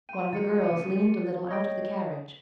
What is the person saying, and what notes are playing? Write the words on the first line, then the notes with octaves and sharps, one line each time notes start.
One of the girls leaned a little out of the carriage.
G5 C6 D#7
D#3 F3 A6 C#7
C#3
G4 A#4
C#5 D#5 G5